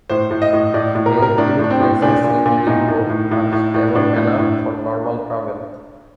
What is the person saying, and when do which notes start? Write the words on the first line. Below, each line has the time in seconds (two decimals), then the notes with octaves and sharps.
Very few places in Limbo are stable enough for normal travel.
0.09 A2 C5
0.31 A2
0.42 D#5
0.53 A2
0.74 A2 D5
0.95 A2
1.06 A#4
1.17 A2
1.22 A#4
1.38 A2 D4
1.59 A2 D4
1.70 C4
1.80 A2
2.02 A#2 D4
2.24 A#2
2.46 A#2
2.67 A2 D#4
2.88 A2
3.09 A2
3.31 A2
3.52 A2
3.74 A2
3.95 A2 D4
4.16 A2
4.38 A2